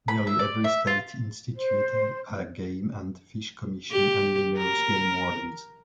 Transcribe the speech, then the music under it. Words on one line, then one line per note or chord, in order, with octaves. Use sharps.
Nearly every state instituted a game and fish commission and numerous game wardens.
B5
E5
D5
E5
F4
C5
G4
A#4